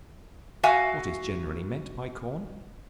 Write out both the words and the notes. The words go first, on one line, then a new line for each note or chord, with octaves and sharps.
What is generally meant by Corn?
F#4 E5 F5 G#5